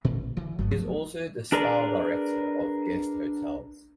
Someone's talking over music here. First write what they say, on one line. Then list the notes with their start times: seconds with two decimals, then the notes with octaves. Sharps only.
He is also the 'style director' of Guest Hotels.
0.05 A1 A#2
0.37 D3 E3
0.59 G1 F#3 A3 B3
0.71 F3
1.52 D4 G#4 A#4 B4 D5